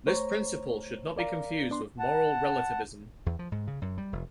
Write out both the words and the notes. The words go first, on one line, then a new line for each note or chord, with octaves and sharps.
This principle should not be confused with moral relativism.
A3 C5 C#5 A#5 C#6
A#4 D5 F5 A#5
B3 D4 C6
F#5 A5
E2
F3
G#2
C#3
F#2
G3
F1